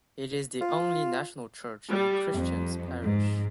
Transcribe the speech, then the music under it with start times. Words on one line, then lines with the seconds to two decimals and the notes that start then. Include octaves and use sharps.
It is the only national church in Christians Parish.
0.61 F4
1.88 G3
2.31 F2
3.03 G#2